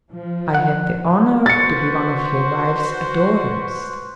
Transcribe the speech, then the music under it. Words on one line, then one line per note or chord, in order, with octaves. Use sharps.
I have the honor to be one of your wife's adorers.
F3
F#5
F#4 B4 C5 C#6 A6 C#7